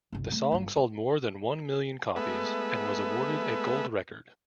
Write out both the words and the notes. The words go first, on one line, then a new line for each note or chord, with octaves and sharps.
The song sold more than one million copies, and was awarded a gold record.
G1 C2
A3 C4
G1 F4
F4
G#3 A3 B3 B4 E5